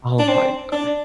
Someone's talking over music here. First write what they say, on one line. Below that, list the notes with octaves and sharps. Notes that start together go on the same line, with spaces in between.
Oh my god.
D4
C4
D4